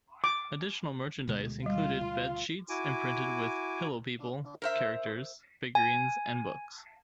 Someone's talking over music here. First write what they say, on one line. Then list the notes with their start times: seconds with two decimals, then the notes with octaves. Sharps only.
Additional merchandise included bed sheets imprinted with Pillow People characters, figurines and books.
0.24 D6
1.28 D2 B2 G#3
1.66 G3 F4
2.69 E4 F#4 G#5 D6
4.62 A#4 C5 E5
5.75 G#5